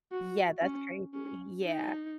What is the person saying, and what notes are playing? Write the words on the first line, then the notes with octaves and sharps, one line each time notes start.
Yeah, that's crazy. Yeah.
F#4
C#4
C#4
D#4